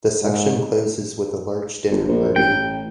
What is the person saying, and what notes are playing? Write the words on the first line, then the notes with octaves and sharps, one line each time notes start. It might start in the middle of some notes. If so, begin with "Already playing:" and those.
The section closes with a large dinner party.
G#2
G1
A#1
A1 G5